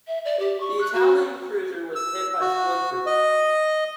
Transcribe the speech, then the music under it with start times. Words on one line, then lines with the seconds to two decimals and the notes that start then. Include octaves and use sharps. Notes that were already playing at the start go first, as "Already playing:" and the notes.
The Italian cruiser was hit by splinters.
0.07 E5
0.25 D5
0.39 G4
0.60 C#6
0.80 F#6
0.94 F#4
1.95 E6
2.41 F#4
3.06 D#5